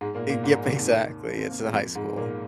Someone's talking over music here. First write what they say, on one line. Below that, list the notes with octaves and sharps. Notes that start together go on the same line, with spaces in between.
A g exactly it's in high school.
G#2 G#3
A#2 A#3
A#2 A#3
G#2 G#3
G#2 G#3
C3
D#2 D#3
C4
A#3
G#3
F2 F3
G#2 G#3
A#2 A#3